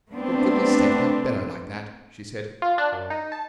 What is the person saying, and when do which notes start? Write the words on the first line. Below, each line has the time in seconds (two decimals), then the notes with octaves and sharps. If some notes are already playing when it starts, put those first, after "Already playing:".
'For goodness' sake don't bellow like that!' she said.
0.10 A3 B3 C4 D4
2.62 F4
2.78 D4
2.92 F#2
3.10 D#4
3.32 A5